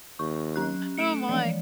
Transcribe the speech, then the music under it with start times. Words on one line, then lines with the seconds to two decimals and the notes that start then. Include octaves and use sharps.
Oh my.
0.19 D#2 C#6
0.56 F#3 C#4 F#6
0.98 A3 C#7 D7 E7
1.29 E3 F3 G#3